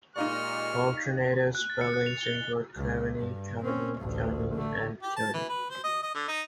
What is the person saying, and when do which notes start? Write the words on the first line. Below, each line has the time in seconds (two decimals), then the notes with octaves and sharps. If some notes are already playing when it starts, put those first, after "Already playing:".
Alternative spellings include Keaveny, Keveney, Keavney, and Kiveney.
0.16 A#2 G#3 D#4 F4 G4 D5 C#6 F6
1.55 F#6
1.70 A6
1.81 C#7
1.94 F#6
2.06 F7
2.21 G7
2.36 C#7
2.76 C#2
3.18 G2
3.63 C4 C#4
3.98 A1 D2
4.54 D3 A3
5.02 G4
5.16 A5
5.33 E3
5.49 B4
5.70 C5
5.84 D#5
6.02 D#5
6.14 D3
6.28 D#4